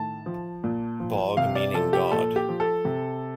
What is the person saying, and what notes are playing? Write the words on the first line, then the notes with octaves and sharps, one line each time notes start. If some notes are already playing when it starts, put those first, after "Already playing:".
Bog meaning God.
Already playing: A2 D#3 A5
F3
A#2
F3
C3 F5
D5
F3 A4
G4
A#2 A4
G4
F3
A4
C3